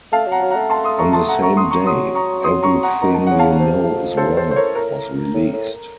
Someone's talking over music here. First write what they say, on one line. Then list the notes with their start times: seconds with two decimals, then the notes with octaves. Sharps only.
On the same day, "Everything You Know Is Wrong" was released.
0.12 A3 F5 A5
0.27 F#3 F#5 A#5
0.41 F#3
0.51 A3 F#5 A#5
0.70 A5 C6
0.84 C6 D#6
0.99 A#5 C#6
1.13 A5 C6
1.28 F#5 A#5
1.42 A#5 C#6
1.57 C6 D#6
1.71 A#5 C#6
1.86 F#3 C6 D#6
2.15 A#5 C#6
2.44 C6 D#6
2.63 A#5 C#6
2.83 F#5 A#5
3.01 D#3 A#5
3.14 A5
3.27 C#3 F#5
3.39 F5 A5
3.59 C3
3.89 F2
4.17 A2 A4 C5
4.37 A4 C5
4.51 C5
4.56 A#4 C#5
4.75 A#4
5.34 A2
5.53 A2